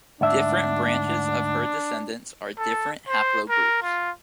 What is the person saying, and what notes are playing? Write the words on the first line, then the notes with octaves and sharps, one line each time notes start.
Different branches of her descendants are different haplogroups.
D2 G#2 D4 E5
A4
C5
A#4
F4